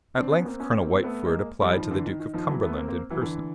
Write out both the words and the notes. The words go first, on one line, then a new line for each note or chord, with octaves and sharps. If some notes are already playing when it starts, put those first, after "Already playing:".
At length Colonel Whitefoord applied to the Duke of Cumberland in person.
C4 D4
B3 C#4
A#3 C4
B3 C#4
A#3 C4
C4
A3 B3
G#3 A#3
F3 G3
D#3 F3
D3 E3
D#3
D#3
D#3 F3
E3 F#3
A3 B3
A#3 C4
A#3 C4
E3 F#3
D3 E3